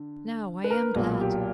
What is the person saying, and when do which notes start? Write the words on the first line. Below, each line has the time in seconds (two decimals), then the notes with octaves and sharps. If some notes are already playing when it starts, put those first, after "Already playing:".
Now I am glad!'
Already playing: D3
0.64 B4
0.71 A#4
0.95 B1 A#2 F#3 A#4
1.21 G4